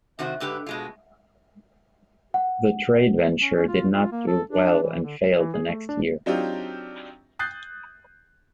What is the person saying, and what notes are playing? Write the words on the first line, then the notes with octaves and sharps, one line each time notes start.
The trade venture did not do well and failed the next year.
C3 D#3 F#4 C5
G#2 D3 G4 B4
B2 G#3 F4
F#5
C#4
C#4
F4
F4
A#3
A4
D4
E3
D3
E3
G#4
A3
D4
F#3 C4 D4 D#4 F4 G4
D#6 F#6 G6 A6 C7